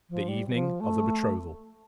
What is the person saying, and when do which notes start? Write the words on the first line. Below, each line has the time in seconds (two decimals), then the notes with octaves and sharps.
The Evening of the Betrothal.
0.10 F3
0.28 G3
0.48 G3
0.54 F3
0.80 A3